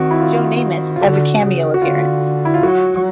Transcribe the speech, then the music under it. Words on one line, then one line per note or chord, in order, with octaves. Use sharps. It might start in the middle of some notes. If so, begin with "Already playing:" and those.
Joe Namath has a cameo appearance.
Already playing: D#3 C4 F#4
E4
F4
F4
D3 F#4
C#3
F#4
D3 F4
E4
F4
F#3 F#4